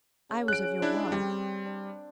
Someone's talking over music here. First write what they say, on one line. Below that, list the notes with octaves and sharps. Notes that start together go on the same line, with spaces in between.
I was of your world.
C#3 F#5
C#4 F#6 D7
D4 E4
G3 C4
D4